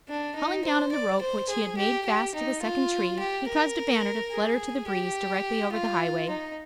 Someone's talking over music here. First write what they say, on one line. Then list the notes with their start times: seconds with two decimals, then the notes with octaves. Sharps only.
Hauling down on the rope which he had made fast to the second tree, he caused a banner to flutter to the breeze directly over the highway.
0.08 D4
0.35 D#4
0.65 C5
0.92 D5
1.21 C5
1.49 G#4
1.77 G4
2.06 G4
2.34 D#4
2.62 F4
3.19 G4
3.47 A#4
4.31 G#4
4.88 G4
5.72 F4
6.29 D#4